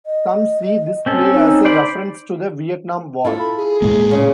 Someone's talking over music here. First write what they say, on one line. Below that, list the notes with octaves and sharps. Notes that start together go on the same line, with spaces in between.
Some see this play as a reference to the Vietnam war.
D#5
C4 C#4 A4
D#4
C5 D5 B5
E4 F4 A4
B5
G#4
A2 G#3 A#3
A#2 C#3